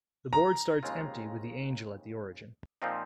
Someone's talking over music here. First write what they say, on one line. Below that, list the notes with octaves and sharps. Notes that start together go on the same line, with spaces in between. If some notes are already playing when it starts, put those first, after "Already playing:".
The board starts empty with the angel at the origin.
A#5
D#2 C#3 G#3 C4 F4
A#2 F3 C4 D#4